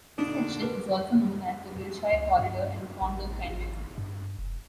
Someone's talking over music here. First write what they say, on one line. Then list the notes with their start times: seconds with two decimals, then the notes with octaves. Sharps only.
This section is also known as the Wilshire Corridor and Condo Canyon.
0.18 A#2 D3 D4 D#4
0.62 A#4 B4 D5
2.13 C#2
2.39 G2
3.02 A1
3.48 G#1
3.98 G2
4.39 F1